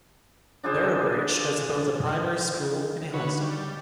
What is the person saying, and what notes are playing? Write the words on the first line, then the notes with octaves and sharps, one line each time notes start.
Boroughbridge has both a primary school and a high school.
D4 F4 G#4 C5
D3 D#4 F#4 B4 C#5
G3